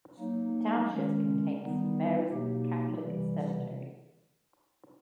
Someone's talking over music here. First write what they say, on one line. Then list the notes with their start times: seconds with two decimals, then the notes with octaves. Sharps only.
The township contains Saint Mary's Catholic Cemetery.
0.19 F#3 A#3 D#4
0.90 D#3 G#3 C#4
1.60 D#3 G3 B3 D#4
2.31 B2 F#3 A#3 D#4 G4
3.02 C3 E3 G3